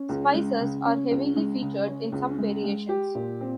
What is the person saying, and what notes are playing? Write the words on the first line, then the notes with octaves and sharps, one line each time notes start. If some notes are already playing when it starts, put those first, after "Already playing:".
Spices are heavily featured in some variations.
Already playing: C#4
C#2
G#3
C#3
C#4
C#2
G#3
C#3
C#4
C#2
G#3
G#3
G4
A#2
C4